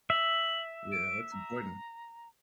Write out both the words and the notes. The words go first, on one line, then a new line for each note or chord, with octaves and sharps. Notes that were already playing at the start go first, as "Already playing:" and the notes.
Yeah, that's important.
E5 F#7
D7
A#5